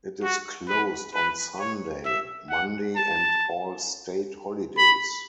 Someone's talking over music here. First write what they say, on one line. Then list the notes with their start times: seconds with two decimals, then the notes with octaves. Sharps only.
It is closed on Sunday, Monday and all state holidays.
0.24 F#4
0.68 B4
1.14 B4
1.59 C#5
2.05 E5
2.50 F#5
2.96 A5
4.78 B5